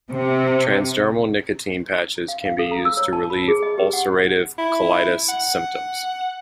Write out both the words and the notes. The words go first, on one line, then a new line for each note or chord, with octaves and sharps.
Transdermal nicotine patches can be used to relieve ulcerative colitis symptoms.
C3
F5
F5
A4
A#5
E6
C#5
A5
B5
G#4
D#5
G4
F#5
E4
F#5